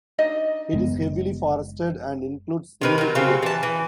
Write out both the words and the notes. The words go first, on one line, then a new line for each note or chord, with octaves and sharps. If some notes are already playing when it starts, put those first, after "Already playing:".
It is heavily forested and includes scenic lakes.
D4 D#4 D#5
F#1 G#3 B3
C3 D#3 B4
D#3 F#3
C#3 F#3 C4 G4
E3 A5
E3